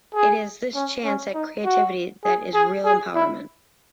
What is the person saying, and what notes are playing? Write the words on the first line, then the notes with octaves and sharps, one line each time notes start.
It is this chance at creativity that is real empowerment.
G#4
C#4
C#4
D#4
F#4
G#4
G#4
G#4
E4